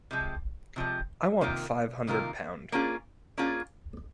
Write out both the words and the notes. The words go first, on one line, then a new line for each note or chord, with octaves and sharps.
I want five hundred pound.
C3 F3 G#3
C3 F3 G#3
C3 D#3 A#3 F4 A#4
C3 D#3 A#3 F4 A#4
A#3 C#4 F4 G#4
A#3 C#4 F4 G#4